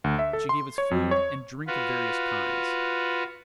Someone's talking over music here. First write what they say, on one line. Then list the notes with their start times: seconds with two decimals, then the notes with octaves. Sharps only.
And she gave us food and drink of various kinds.
0.04 D2
0.19 E5
0.33 A4
0.49 C6
0.78 C#5
0.91 F2
1.11 C#5
1.67 F4 F#4 B4